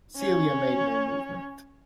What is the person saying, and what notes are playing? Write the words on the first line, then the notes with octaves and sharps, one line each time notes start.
Celia made no movement.
C#4 C#5